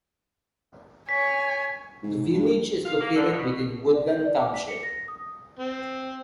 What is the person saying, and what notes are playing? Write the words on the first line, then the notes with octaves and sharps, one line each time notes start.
The village is located within Woodland Township.
C#5 G#5 B6
G#2
G2
F5
A#3
D3
B2
D5
G6
D5
D6
B6
C#7
A#6
D#6
C4